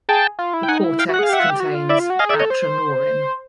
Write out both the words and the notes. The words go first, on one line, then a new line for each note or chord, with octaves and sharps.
The cortex contains atranorin.
G#4 G5 A5
F4
E4
G5
D#4 F#5 G#5
E4
F5 G5
F#4
F#5
G#4
F5
G4 E5 F#5
F4
G4
F#4
F4
E4 D5 E5
F4
F#4
G#4 D#5 F5
D5 E5
A4 C#5 D#5
C5